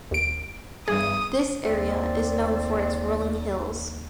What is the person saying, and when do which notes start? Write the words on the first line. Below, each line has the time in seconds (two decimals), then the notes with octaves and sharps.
This area is known for its rolling hills.
0.11 D#2 D7
0.88 E2 G2 G#4 D#6
1.65 D#2 C4 D5